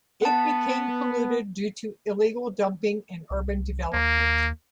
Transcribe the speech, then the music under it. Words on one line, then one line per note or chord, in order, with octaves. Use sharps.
It became polluted due to illegal dumping and urban development.
B3 F#5 A5
C2
D#2 A#3